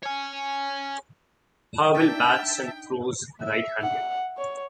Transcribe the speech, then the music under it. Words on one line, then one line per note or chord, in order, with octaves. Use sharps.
Harville bats and throws right-handed.
C#5 G#5
D4 D#4 E5 G5 A5 B6 D7
E5
F#5
C#5